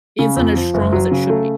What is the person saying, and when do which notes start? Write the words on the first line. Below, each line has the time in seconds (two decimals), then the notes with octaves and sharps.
isn't as strong as it should be.
0.19 C#3
0.37 F2
0.56 F3
0.74 F#1
0.93 F#3
1.11 C#3
1.30 A3